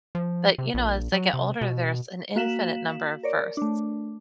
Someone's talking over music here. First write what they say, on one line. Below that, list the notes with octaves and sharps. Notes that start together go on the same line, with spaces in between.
But, you know, as they get older, there's an infinite number of firsts.
F3
C3
A#1
F#3
C3
B2
A#3 F#4 F5 B6 E7 F#7
A#4 C#5 D5
A3 D4